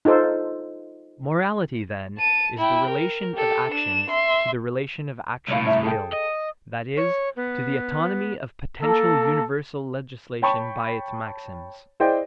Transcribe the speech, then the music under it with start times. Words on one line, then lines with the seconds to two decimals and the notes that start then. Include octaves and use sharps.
Morality, then, is the relation of actions to the relation of actions will, that is, to the autonomy of potential universal legislation by its maxims.
0.05 D#4 F4 A4 C5
2.18 A5 D#7
2.58 E4 G5
2.90 A#4
3.34 G4 A4
3.71 D4 E7
4.10 E5 C6
5.48 C2 A2 C#5 D5 F5
5.65 C#4 E5 A#5
5.82 G#4 A4 G5
6.13 D#5
6.97 C#5
7.36 B3
8.81 A#3 A4
10.42 C#5 G5 A5 B5 C#6
12.00 E4 G#4 C5 D5 D#5 G5